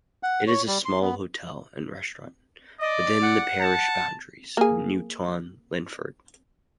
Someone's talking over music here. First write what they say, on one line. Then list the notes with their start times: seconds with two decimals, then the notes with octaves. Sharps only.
It is a small hotel and restaurant, within the parish boundaries of Newtown Linford.
0.23 F#5
0.47 C#5
0.67 G3
0.85 C6
1.01 B3
2.81 D5 D#5
3.22 F#5
3.61 A5
4.57 A#3 G#4